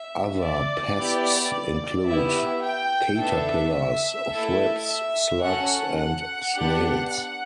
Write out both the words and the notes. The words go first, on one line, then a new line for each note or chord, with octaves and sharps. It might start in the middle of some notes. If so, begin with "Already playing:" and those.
Other pests include caterpillars, thrips, slugs and snails.
Already playing: E5
D5
B3 E4 G4
B3 E4 G4 E5
G5
B3 D4 A4 E5
A3 E4 A4
E5
C#4 F#4 A4 F#5
F#5
B3 D4 G4
F#5